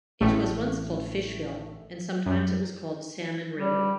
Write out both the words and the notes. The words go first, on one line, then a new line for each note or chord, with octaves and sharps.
It was once called "Fishville" and sometimes it was called "Salmon River".
A1 A2 A3
F#2
G3